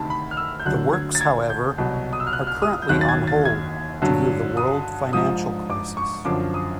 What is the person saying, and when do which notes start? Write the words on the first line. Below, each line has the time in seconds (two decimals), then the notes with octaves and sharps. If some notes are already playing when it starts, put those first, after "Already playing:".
The works, however, are currently "on hold" due to the world financial crisis.
Already playing: D2 C3 D#3 A5 B5
0.10 B5
0.31 F6
0.37 E6
0.60 G6
0.65 D2 D3 F#3 F#6
0.93 G#6
1.15 A6
1.21 G#6
1.50 G6
1.78 C2 B2 F#3
2.13 D#6
2.20 E6
2.27 F6
2.33 F#6
2.47 F6
2.62 D#6
2.82 G6
2.89 D#2 D#3 F#3 F#6
3.01 A6
3.09 G#6
3.27 A6
3.45 G#6
4.02 G2 D3 F#3
4.57 D#6
5.13 G#2 F3 D#6
5.70 D6
5.97 C#6
6.25 F#2 D3 F3 D6
6.54 D#6